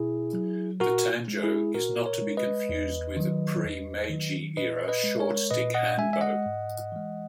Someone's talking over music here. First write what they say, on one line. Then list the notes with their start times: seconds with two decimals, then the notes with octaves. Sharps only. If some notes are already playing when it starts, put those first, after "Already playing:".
The tanjo is not to be confused with the pre-meji era short stick hanbo.
Already playing: B2 E4 G#4
0.33 F#3
0.80 A#2 F#4 A#4
1.28 G#3
1.43 E4 G#4
1.74 A#2 F#4 A#4
2.06 A#4 C#5
2.22 G#3
2.37 B4 D#5
2.69 E2
3.17 D#3 F#3
3.64 E2
4.10 D#3 F#3
4.57 A#2 B4 D#5
4.88 B4 D#5
5.04 G#3
5.19 A#4 C#5
5.51 A#2 B4 D#5
5.74 D#5 F#5
5.98 G#3 E5 G#5
6.13 E5
6.21 D#5 F#5
6.46 G#2
6.92 E3 G#3